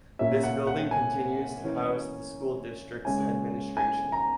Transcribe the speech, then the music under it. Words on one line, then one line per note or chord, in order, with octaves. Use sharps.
This building continues to house the school district's administration.
A#2 A#3 C#4 E5
F#5
F#5
G#5
E3 A#3 C#4
C#3 G#3 C#4 G#5
G#5
A#5